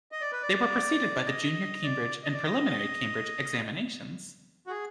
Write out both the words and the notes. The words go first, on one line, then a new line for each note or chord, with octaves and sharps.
They were preceded by the Junior Cambridge and Preliminary Cambridge examinations.
D#5
D5
B4
D5
D#5
D5
D#5
D5
D#5
F#4
G#4